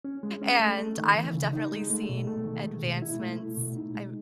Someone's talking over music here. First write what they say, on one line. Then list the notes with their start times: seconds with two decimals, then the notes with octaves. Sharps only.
and I have definitely seen advancements. I'm
0.05 C#4
0.23 G#3
0.42 C#4
0.60 A3
0.78 A3
0.98 D#3
1.16 E3
1.34 C#3
1.53 D#4
1.72 G#3
1.90 A3
2.09 B2
2.27 A3
2.45 D#3
2.64 G#3
2.82 B2
3.02 E4
3.19 A3
3.39 A3
3.57 B2
3.76 D#4
3.95 G#3